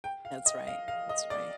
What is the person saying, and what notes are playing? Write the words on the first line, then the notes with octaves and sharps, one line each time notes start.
That's right, that's right.
G5
F5
D#5
F5
F5
D#5
D5